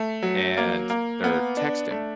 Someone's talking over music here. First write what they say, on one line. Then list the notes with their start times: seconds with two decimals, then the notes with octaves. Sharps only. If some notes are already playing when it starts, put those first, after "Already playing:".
and they're texting
Already playing: A3
0.22 F#3
0.57 A#3
0.90 A#3
1.24 B3
1.57 D4
1.91 A3